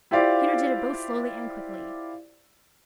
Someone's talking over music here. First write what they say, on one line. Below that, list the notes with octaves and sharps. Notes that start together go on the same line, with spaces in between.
Peter did it both slowly and quickly.
E4 F4 G4 C5 D5 F5